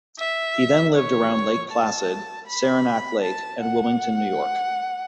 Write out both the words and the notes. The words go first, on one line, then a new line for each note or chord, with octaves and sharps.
He then lived around Lake Placid, Saranac Lake, and Wilmington, New York.
E5
C#5
A5
B5
A5
F#5